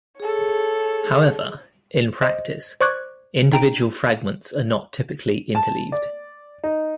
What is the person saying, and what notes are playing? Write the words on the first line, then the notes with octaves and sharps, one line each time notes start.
However, in practice, individual fragments are not typically interleaved.
G#4 A4 C#5
C5 D#5
C5 D5 C#6 D6 F#6 G#6
D#4 G5 A#5 D7
A5
D5
D#4